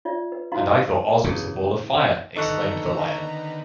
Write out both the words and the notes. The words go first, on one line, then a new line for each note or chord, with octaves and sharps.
"And I thought Oz was a Ball of Fire," exclaimed the Lion.
F4 D5 E5
B4
D#4 E4 F#4 F5 A#5 C6
E2 C#3
D3 D#3 B3 D#4 A4 A#5 C#6 F#6